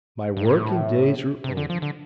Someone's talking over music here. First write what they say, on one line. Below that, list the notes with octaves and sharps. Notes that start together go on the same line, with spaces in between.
My working days are over.
G2
A2
C3
D3
F3
D3